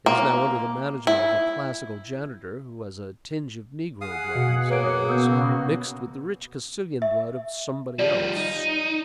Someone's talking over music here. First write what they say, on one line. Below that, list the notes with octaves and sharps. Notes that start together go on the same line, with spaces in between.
It is now under the management of a classical janitor, who has a tinge of negro blood in his veins, mixed with the rich Castilian blood of somebody else.
A#3
E4
G#4 F5 F#5 D#6
B2
A#3 B4 C#5 D7
C#3 B3 F#4 D#6 E6 G6
E5
F3 G3 D5
D#4